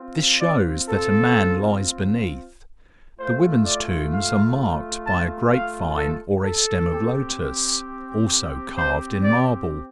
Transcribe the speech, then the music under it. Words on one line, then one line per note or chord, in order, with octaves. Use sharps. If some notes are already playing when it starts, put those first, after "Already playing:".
This shows that a man lies beneath; the women's tombs are marked by a grapevine or a stem of lotus, also carved in marble.
Already playing: C4 F4
D5
A4
A3 F4 C5
D5
F5
A5
F5
A4
A4
C4 G4
C5
D5